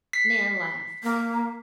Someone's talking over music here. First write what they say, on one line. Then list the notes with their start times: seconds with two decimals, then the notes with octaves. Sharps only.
Nan laughed.
0.13 B6 C7
1.03 A#3